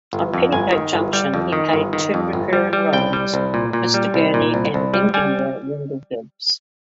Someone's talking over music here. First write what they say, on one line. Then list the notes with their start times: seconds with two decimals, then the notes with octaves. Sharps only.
On "Petticoat Junction" he played two recurring roles: "Mr. Guerney" and engineer "Wendell Gibbs".
0.13 G1
0.34 F2
0.52 G1 G#5
0.73 D#3
0.93 G1
1.13 G3
1.34 F2
1.53 D#3
1.73 G1
1.93 D#3
2.14 F2
2.33 G1
2.53 G3
2.73 G3
2.93 C2 G5
3.13 G3
3.34 C2
3.54 A#2
3.73 A#2
3.94 G3
4.14 C2
4.34 A#2
4.54 C2
4.74 C2
4.94 G3
5.14 G3 G#5